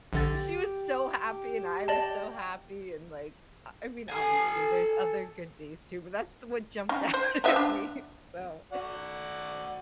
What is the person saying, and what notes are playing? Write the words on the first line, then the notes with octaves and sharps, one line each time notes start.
she was so happy, and I was so happy, and, like, I I mean, obviously, there's other good days too, but that's the one jumped out at me, so,
A#1 D3 G4 A6
D5 D#5 A5
A4 G#5
C#4 D#4
C5
F3 B3 E5
D4
F#4 D5 F#5